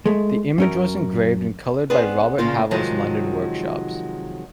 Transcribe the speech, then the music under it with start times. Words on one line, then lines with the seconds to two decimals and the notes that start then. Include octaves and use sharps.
The image was engraved and colored by Robert Havell's, London workshops.
0.06 G#3 A3
0.58 F#2 C#4 A#4
1.90 B3 C4 D4 G#4 B4
2.38 A#2 C#3 A#3 F4
2.71 C3 D#3 F3 F#3 G#3